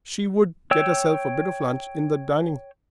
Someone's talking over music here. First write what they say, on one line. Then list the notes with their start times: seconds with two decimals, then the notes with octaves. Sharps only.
She would, get herself a bit of lunch in the dining-room.
0.71 C#5 G5 E6